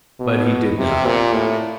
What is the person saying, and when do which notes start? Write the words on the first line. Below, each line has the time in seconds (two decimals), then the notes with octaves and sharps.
But he did not.
0.20 B2
0.77 C3
1.06 A#2
1.33 A2